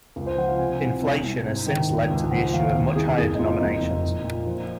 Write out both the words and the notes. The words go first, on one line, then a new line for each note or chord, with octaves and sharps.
Inflation has since led to the issue of much higher denominations.
C#2
C5
F3 F#5
F5
C3 G#5
C2
C2
C2
G#2
D#3
C#2
C#2
F3 F#5
D#2 F5
C2
C2 G#4
F#1 G#4
D#4
F#1 F4
F2 D#4
F1
A#2
A#2
F3